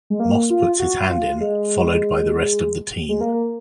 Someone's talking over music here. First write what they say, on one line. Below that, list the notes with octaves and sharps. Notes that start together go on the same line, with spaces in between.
Moss puts his hand in, followed by the rest of the team.
G#3
A#3
F4
F#4
F4
G#3
G#3
A#3